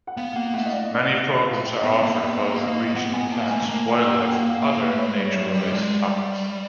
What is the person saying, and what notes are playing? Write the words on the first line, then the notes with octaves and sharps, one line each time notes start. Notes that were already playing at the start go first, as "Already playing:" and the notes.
Many programs are offered about regional plants, wildlife, and other nature related topics.
F#5
B3 F5
F5
A#3 F#5
A3 F#5
D#5
D5
D#5
E5
F5
G5
D#5
B3 E5
A#3 D#5
B3 D5
A#3 D#5
A#3 D#5
B3 F#5
B3 G#5
A#3 A5
A3 G#5
A3
A#3 G5
A#3 F#5
G5
F#5
F#5
F5
A#3 E5
B4
A3
C#5
G#3
G3 D5
F#3 C#5
G3 D5
D#5
G#3 D5
G3